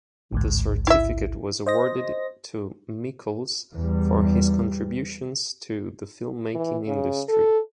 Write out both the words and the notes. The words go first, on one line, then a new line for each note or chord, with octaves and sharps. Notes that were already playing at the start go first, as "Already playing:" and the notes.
The certificate was awarded to Mikels for his contributions to the filmmaking industry.
A1 D2 G#2
E4 E5
C5 D#5 A#6
E2 G3
E3
C#3
A4